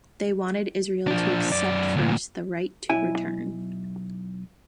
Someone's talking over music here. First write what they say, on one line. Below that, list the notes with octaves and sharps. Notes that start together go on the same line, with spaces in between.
They wanted Israel to accept first the "right to return".
F3 D4
F#2 D5
D2 A#2
B1 E4 G#5